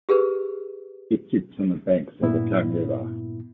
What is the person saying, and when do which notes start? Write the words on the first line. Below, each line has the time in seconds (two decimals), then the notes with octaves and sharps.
It sits on the banks of the Tongue River.
0.09 G4 G#4 A#4 B4
2.22 G2 A#2 B3 E4